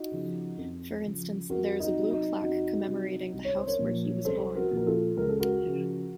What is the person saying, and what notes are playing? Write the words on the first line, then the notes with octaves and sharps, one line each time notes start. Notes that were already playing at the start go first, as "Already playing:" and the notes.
For instance there is a blue plaque commemorating the house where he was born.
Already playing: D#4 F#4
C#3 F3
F2
C#3 F3
F2 F#4 A#4
D#4 F#4
C3 F#3
D#4
F2 D#4 F#4
C3 F#3
C2
C#5
C5
A#4 C#5
A#2 F3
C2 A4 C5
F#4 A#4
A#2 F3
A#4
F4 A4
C#2 A#4
A4
F#4 A#4
C#3 F3